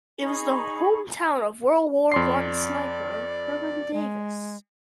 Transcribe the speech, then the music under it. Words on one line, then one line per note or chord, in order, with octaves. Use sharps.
It was the hometown of World War One sniper Herman Davis.
D#4 G#4 B5 C#6
F2 D5 C6 C7
G#3